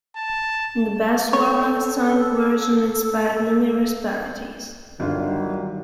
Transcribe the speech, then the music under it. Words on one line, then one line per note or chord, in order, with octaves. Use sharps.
The Baz Luhrmann song version inspired numerous parodies.
A5
A4 C#5
G1 D#3 F#3 G3 F4